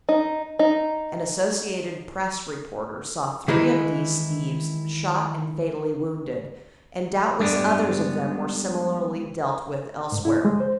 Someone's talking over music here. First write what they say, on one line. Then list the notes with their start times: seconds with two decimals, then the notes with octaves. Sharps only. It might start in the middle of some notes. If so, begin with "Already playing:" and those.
An associated Press reporter saw three of these thieves shot and fatally wounded, and doubtless others of them were similarly dealt with elsewhere.
0.09 D#4
0.59 D#4
3.48 D#3 E3 G#3 D#4 E4
7.39 G3 G#3 B3 D4 G4 D5
10.12 G#2
10.25 E4
10.45 G#3
10.60 C5